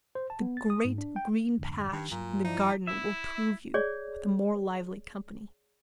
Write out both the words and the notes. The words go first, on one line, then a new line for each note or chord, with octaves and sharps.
The great green patch in the garden will prove you with a more lively company.'
C5
A5
B3
A6
D#6
G#2
D4
G5
F2 G#2 D3
G2 D#3
G2 A#2 F#3
F3 D#4 E4 D5
E4 E5
G#4 C#5 D5